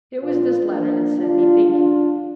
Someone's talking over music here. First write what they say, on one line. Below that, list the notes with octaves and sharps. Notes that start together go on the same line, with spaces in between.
It was this letter that set me thinking.
A#2 F3 D4 F4
A#3 D4
D3 G3 D4 F4
D4 F4